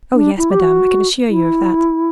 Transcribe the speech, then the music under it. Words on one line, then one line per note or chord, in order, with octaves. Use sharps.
"Oh, yes, madame, I can assure you of that."
D4
E4
G4
F#4
E4